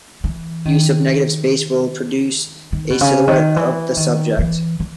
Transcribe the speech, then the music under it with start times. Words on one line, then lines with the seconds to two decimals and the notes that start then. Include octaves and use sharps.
Use of negative space will produce a silhouette of the subject.
0.24 E3
0.65 D#3
2.72 D#3
2.90 B2
3.01 C#3
3.28 D#3
3.56 E3
3.97 D#3
4.39 E3
4.80 E3